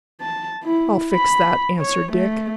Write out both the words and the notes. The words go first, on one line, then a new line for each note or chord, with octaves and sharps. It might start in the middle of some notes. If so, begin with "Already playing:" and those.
"I'll fix that," answered Dick.
A5
E4
B5
C#5
A3